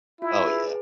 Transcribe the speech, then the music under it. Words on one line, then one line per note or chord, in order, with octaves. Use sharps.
Oh, yeah.
E4 F4
G#4 B4